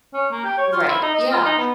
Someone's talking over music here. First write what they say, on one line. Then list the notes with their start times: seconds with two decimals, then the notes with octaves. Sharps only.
Right. Yeah.
0.13 C#4
0.31 A#3
0.44 G4
0.57 C#5
0.72 F4
0.88 E4
1.02 D#4
1.14 D#5
1.31 F4
1.45 D#4
1.58 B3